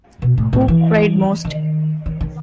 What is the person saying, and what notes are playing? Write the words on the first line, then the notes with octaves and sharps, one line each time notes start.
Who cried most?
B2
A2
A2
D#3
E3
D#3
D#3
D#3